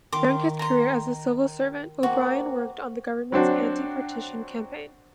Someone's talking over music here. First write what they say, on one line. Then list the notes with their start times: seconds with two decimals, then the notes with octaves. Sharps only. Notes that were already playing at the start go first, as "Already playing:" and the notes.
During his career as a civil servant O'Brien worked on the government's anti-partition campaign.
0.13 D#3 F5 C6 D6
0.59 A#5 C6
2.03 A#3 C4 F#4
3.32 F#3 C4 D4 F#4